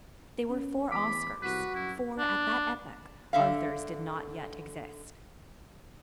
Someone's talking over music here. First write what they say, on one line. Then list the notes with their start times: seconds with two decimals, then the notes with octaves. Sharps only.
They were four Oscars; for, at that epoch, Arthurs did not yet exist.
0.50 C#4
0.92 E2 B5 D6
1.42 C2 F#4 B4
1.75 F#2 E4
2.19 D4
3.33 D3 E5 F5